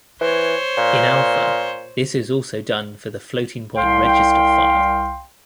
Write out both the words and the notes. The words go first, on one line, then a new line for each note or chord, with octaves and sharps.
In Alpha this is also done for the floating-point register file.
E3 C5 C#5
A#2
C2 F5 G5 C6